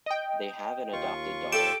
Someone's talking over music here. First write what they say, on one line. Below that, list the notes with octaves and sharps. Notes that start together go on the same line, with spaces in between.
They have an adopted daughter.
D#5 G5
D#2 F4 C#6
G4 A4 D7 E7